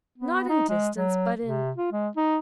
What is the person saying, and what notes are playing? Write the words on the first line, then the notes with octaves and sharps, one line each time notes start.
'Not in distance, but in--.
B3
D#4
G#3
F#3
C3
F4
G#3
D#4